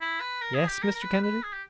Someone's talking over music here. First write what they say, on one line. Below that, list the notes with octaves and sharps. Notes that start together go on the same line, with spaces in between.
"Yes, Mr. Kennedy?"
E4
B4
A#4
G#4
G4
A#4
A#4
B4
B4
G#4
G4